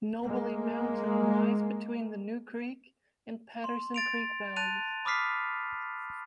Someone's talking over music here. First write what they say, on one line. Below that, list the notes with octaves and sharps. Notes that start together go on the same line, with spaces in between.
Knobly Mountain lies between the New Creek and Patterson Creek valleys.
G#3 A#3
C6
A6 D7 F7
A5 F#6 A6 D#7 F7
B5 D6 D#6 F6 B6 C7